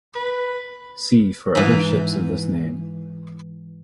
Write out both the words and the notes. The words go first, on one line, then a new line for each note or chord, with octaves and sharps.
See for other ships of this name.
B4
G#2 E3